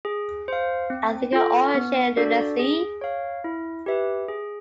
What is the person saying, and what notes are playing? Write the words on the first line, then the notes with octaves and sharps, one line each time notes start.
I think it all sheer lunacy.
G#4
C5 F5
C4
F4 A4
B3
D4 F#4 A4 D5
G#4
C#5 F5
E4
G4 B4 E5
G#4